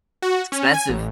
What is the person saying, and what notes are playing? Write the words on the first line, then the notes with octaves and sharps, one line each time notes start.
It's expensive.
F#4
C#4
G#5
A1